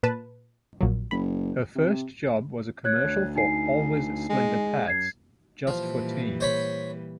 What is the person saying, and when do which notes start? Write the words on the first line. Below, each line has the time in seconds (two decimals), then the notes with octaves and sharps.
Her first job was a commercial for Always Slender Pads - Just For Teens.
0.03 A#2 B4 A5
0.81 A#1 A#2 F#3
1.11 F#1 B5
1.75 C3
2.84 C#5 F#6 G#6
3.03 D2
3.35 D#4 G#5 C7
4.29 G#3
4.88 F#2 G#6 C7
5.67 A#2 E3 F3 G3
6.40 C5 C#5 B5